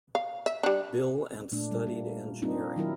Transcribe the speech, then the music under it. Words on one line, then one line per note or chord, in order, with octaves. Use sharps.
Bill and studied engineering.
F5
E5
G3 D4
A#2 A3 D4
G3
A#3
A#3 C4 D4 D#4 F4
D#3 F#3 E4 A#4